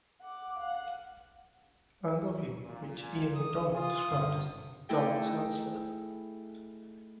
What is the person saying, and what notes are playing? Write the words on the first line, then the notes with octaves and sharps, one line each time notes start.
I love "you" which Ian MacDonald described as "a dark sidestep".
F#5 D6
F5 F#5
A#2
G#5
D#6
F4 G#5 D#6
G1
A3 D#4 E4 G#4 A4 G5